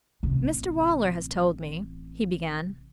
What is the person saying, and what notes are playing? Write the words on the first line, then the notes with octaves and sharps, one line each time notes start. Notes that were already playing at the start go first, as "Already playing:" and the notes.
'Mr Waller has told me--' he began.
A1 C3